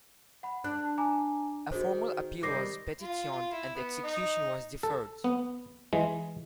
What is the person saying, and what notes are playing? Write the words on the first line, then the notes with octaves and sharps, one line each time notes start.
A formal appeal was petitioned and the execution was deferred.
F#5 B5
D4 F#6
G#5 A#5 D6
D#3 F#4 G#4 C5
C3 D#3 G3 D6 A#6 C7
F4
F4
E4
B3
D#4
A4
B3
E3 G#3